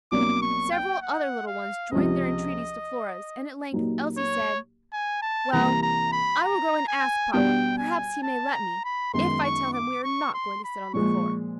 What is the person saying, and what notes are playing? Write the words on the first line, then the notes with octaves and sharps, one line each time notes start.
Several other little ones joined their entreaties to Flora's, and at length Elsie said, "Well, I will go and ask papa; perhaps he may let me, if I tell him we are not going to sit on the floor."
C2 B2 F#3 A#3 D4 D6
C#6
G5
F#5
F5
C#2 C3 F3 D#5
A#2 F#3 A#3 D#4 G4
C#5
G#5
A5
C2 C3 E3 G3 A#3 A#5
A#5
B5
A#5
G#5
B2 G3 B3 D4 G5
G#5
A5
A#5
B5
F#2 D#3 G#3 B3 C6
C#6
D6
C#6
C6
B5
A#2 F3 G#3 C#6